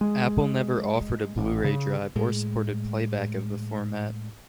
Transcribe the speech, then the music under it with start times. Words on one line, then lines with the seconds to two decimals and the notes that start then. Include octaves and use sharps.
Apple never offered a Blu-Ray drive or supported playback of the format.
0.01 G#3
1.37 A1
1.64 C#3
2.16 A2 G#3